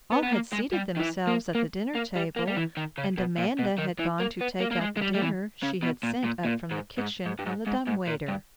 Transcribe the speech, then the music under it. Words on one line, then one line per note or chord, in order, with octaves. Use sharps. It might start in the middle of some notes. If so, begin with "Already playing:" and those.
All had seated themselves at the dinner-table, and Amanda had gone to take out the dinner she had sent up from the kitchen on the dumb-waiter.
B3
B3
A#3
G#3
G3
D#3
E3
A#3
A#3
A#3
G3
A#3
G3
E3
D#3
C#3
B2
A#2
B2
D#3
E3
A#3
B3
A#3
A#3
G#3
G#3
G3
G3
E3
C#3
B2
A#2
A#2
A#2
G#2
G#2
G#2
G2
G#2
G#2
G#2
A#2
G2